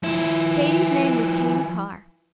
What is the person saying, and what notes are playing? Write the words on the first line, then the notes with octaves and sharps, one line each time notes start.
Katy's name was Katy Carr.
F3 E4